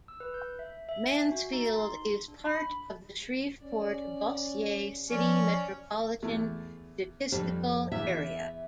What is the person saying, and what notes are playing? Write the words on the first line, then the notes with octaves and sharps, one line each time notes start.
Mansfield is part of the Shreveport-Bossier City Metropolitan Statistical Area.
E6
B4
G6
E5
E5
G#5
F#4
D#4
C6
D4
B5
C#4 D5
F3 C#4 D5
E2 A3
F2 G3
E2 E5